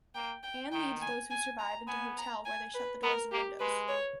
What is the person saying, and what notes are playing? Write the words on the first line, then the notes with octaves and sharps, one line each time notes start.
Anne leads those who survive into hotel, where they shut the doors and windows.
A#3 G5
G5
D#3 G5
G#5
G#5
A#5
B3 G#5
A#5
G#5
B4
B3 A#4
A#3 G4
G#3 B4
C#5